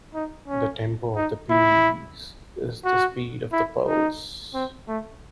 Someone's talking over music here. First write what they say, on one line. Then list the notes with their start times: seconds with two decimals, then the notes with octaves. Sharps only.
The tempo of the piece is the speed of the pulse.
0.14 D#4
0.48 C#4
1.16 D#4
1.50 E4
2.85 F#4
3.52 E4
3.87 D#4
4.54 C4
4.88 A3